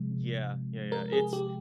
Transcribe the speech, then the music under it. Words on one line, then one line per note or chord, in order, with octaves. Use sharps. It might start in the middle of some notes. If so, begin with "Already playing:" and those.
Yeah. Yeah, yeah. It's
Already playing: C3 F3 G#3
A#4
G#4
G4